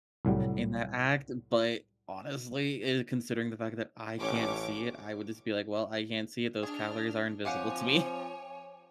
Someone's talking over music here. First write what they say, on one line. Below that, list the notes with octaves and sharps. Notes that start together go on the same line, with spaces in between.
in that act. But, honestly, eh, considering the fact that I can't see it, I would just be like, "Well, I can't see it. Those calories are invisible to me."
C2 A2 F#3 G3
A1 C#4 C#5 D6
D4 G#4 F6
F3 C4 G4 C#5 F5 F#5 G#5